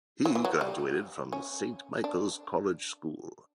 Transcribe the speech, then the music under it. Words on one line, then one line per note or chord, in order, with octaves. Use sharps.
He graduated from Saint Michael's College School.
F#3
E3
F#3
G3
C#4
D4